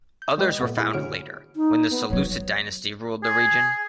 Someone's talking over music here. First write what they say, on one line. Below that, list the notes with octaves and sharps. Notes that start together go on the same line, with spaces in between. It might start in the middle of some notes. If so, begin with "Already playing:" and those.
Others were founded later, when the Seleucid dynasty ruled the region.
G6
G#3 G4 B4 D#5
A#2 A3 B3
E4 G#4
D3 F#4 C#5 F6 C#7 D7
D#4
B3
D#3 F#3 C#5
G#4